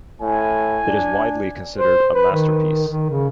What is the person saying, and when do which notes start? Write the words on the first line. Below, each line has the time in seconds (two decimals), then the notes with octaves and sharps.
It is widely considered a masterpiece.
0.21 A2 G#5
0.87 D4
1.76 C5
2.14 B4
2.33 D#3
2.88 D#3
3.10 C#3